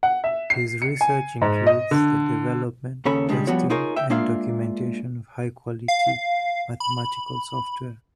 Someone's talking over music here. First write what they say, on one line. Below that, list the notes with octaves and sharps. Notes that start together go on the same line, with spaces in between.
His research includes the development, testing and documentation of high-quality mathematical software.
F#5
E5
C7
C#7
G#5
G#2
D#5
D3
D#2 C#3 C#4 A4 C#5 B5
C#3 G3 G#3 D4
F3 G3 B3 F#4 C#5
D#4 F4 G#4 A#4 C#5
E5 G5
G#3 A#3 D4 F4 E5 F5
F5
B5